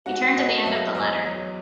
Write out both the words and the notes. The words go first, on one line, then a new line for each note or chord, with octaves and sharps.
He turned to the end of the letter.
G#2 F#4 F#5
B3 D#5
F#3 E5
E2 D#5
F#3